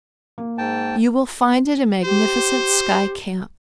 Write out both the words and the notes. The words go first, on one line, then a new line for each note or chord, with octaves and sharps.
You will find it a magnificent sky camp.
A#3
G#2 G5 A5
G4 C5